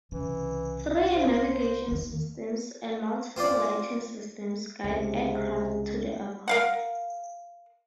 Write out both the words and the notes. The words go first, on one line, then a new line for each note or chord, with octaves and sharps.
Three navigation systems and multiple lighting systems guide aircraft to the Airport.
C2 C#3 E3
C5
D#2 D#3
C4 F4 C5 D5
C#2 C3 G#3
A#4 F5 F#5